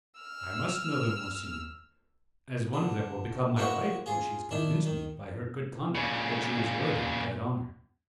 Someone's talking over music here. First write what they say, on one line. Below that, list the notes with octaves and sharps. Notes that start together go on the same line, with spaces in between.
"I must know them, monsignor, as one of them will become my wife when she has convinced me by her good conduct that she is worthy of that honour."
E6 F6
D3
A#3 C4 E4 F#4 C#5 D#5
F4 G#4
D#3 D4 E4
D#3
A#2 C#3